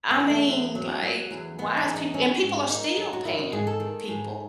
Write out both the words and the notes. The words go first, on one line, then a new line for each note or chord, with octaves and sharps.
I mean, like, why is people and people are still paying people.
B3
E2
A3
E2
F#3
F#3
E2
E2 B3
D#4
E2
D#4
F#3 C#4
G#2
D#3 D#4
F#3
F#4
D#3 E4
F#4
G#2 G#4
A4
D#3
G#2